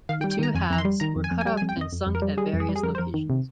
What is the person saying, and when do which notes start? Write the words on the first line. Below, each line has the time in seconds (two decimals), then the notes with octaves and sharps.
The two halves were cut up and sunk at various locations.
0.09 D#3 F5
0.21 G5
0.24 G3
0.31 G5
0.39 D#3 A#5
0.55 F2 G#5
0.70 F2 A#5
0.78 C6
0.85 G3
1.00 D#3 A#5
1.16 F2
1.24 G#5
1.31 F2
1.41 G#5
1.46 G3 G5
1.57 G#5
1.62 F2
1.69 G5
1.77 F2 D#5
1.93 F2
2.07 F2
2.15 A#4
2.22 G3
2.37 G3 G#4
2.54 F2
2.60 G#4
2.69 G3
2.76 G#4
2.83 F2 A#4
2.95 C5
2.98 F2 A#4
3.14 D#3
3.30 C3